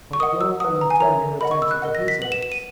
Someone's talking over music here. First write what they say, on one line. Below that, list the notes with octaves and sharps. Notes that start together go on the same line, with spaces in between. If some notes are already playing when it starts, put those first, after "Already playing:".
But go on and turn your attention to his lyrics.
C#6
A#4 D#5 F#5 D#6
E6
B4 F#5 D#6
A#5
G#5
A#4 C#5 E5 A#5
A#4 D#5 F#5 B5
C#6
E6
F#6
A#4 D#5 F#5
A#6
B6
B4 F#5 F#7
E7
E7
D#7